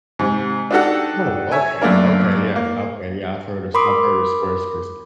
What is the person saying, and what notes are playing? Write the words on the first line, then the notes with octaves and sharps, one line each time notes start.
Oh, okay. Okay, yeah. Okay, yeah. I've heard of I've heard of Squarespace.
G#2 C3
D4 D#4 F#4 G4 A4 F#5
C#5 E5 G#5
F#2 A3 A#3 D4 A#4
A#3
A#4 B5 C6 D6 D#6